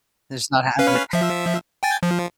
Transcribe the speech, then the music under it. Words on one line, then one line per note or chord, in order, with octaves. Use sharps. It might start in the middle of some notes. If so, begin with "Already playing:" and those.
Just not having it.
C#4 B4 F5
F3 E5
G5 G#5 A6
F3